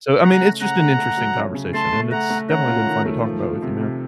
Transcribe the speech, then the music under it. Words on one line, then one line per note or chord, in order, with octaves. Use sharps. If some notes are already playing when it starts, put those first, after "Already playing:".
So, I mean, it's just an interesting conversation, and it's definitely been fun to talk about with you, man.
C#3 F#5 A#5
A3
C#3 F#5 A#5
A3
A3
F#3
C#4
C#3
A3 A5 C6
A3
A3 F#5 A#5
A3
C#4 F#5 A#5
F4
D#3
A3
F3
F3
C3
C3